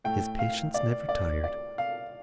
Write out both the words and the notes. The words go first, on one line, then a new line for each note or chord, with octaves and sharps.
His patience never tired.
A2 A3 G5
F5
D5
D5
D5
F5